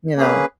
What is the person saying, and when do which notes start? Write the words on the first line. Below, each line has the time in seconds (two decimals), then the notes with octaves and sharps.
you know,
0.16 A#3 C#4 G#4 B4